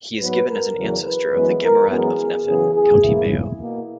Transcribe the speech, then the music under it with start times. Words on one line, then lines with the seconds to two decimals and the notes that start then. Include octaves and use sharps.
He is given as an ancestor of the Gamarad of Nephin, County Mayo.
0.19 G#2 F#3 B3 B4
0.48 A#4
0.76 E2 C#3 F#3
1.04 B4
1.33 F#2 E3 G#3 B3
1.61 A#4
1.89 F#2 E3 G#3 B3 G#4
2.46 F#2 C#3 E3 B3 G#4
2.75 G#4
3.03 G#2 E3 A#3 E4
3.32 E4
3.59 B2 A#3